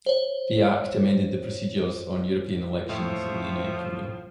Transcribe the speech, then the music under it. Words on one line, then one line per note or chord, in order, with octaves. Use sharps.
The Act amended the procedures on European elections in the United Kingdom.
C5 C#5
A2 F3 C5 C#5 E5